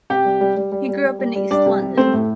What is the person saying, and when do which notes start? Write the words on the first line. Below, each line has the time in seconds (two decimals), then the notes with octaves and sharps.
He grew up in East London.
0.10 C3 G4 G5
0.25 G3
0.41 G3
0.57 G3
0.72 G3
0.89 G3
1.03 G3
1.19 G3
1.35 G3
1.51 G3 D4 D5
1.66 C3
1.81 C3
1.97 A3 C4 C5
2.13 A2